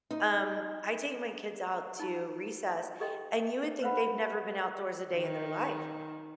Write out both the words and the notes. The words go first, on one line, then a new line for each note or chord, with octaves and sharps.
Um, I take my kids out to recess, and you would think they've never been outdoors a day in their life.
D#4
D#4 F4
G4 A4 D#5 G5 C6
B4 C5 F5 F#5 B5
D#3